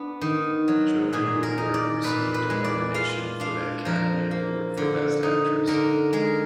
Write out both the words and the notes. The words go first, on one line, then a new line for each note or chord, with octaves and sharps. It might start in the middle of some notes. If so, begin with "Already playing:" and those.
Joanne Woodward received a nomination for the Academy Award for Best Actress.
Already playing: B3 D4
D#3
F#3
A#2 G#4
A#4
D#4
D5
A#2 B4
B4
G#3
D5
F4 F5
D4 F5
F3 A#4
A#3
D3
D#4
D3 A#4
G#3 A#4